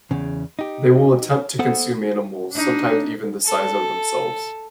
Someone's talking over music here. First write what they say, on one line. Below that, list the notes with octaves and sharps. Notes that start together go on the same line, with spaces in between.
They will attempt to consume animals, sometimes even the size of themselves.
E2 C#3
D#4 G4
B3 A4 C5 F#5
D4 D#4
A4